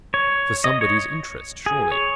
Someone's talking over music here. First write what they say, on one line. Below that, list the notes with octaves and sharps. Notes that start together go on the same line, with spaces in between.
For somebody's interest, surely.
C#5
D#5
C#5
G#4
C#5